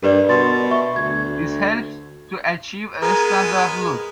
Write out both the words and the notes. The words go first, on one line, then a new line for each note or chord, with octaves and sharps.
This helps to achieve a standard look.
G2 A#4 B4 D5
B2 C6 A6
E5 C#6
D2 G#6
G#3 B3 G#4 A#4